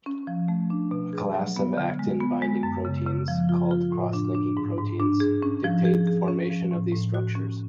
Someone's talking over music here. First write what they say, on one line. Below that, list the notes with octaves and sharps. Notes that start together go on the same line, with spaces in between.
A class of actin-binding proteins, called cross-linking proteins, dictate the formation of these structures.
C#4
F3
A3
D4
B2
G#4
F#3
B3
D3
G#3
B3
G#3
F#2
C#3
C#3
F3
F4
F4
A2
D4
D4
G#2
G#2
D4
G#4
C#4
F3
G#4
G#4
C#4
F3
A2
A2
F#4
C#4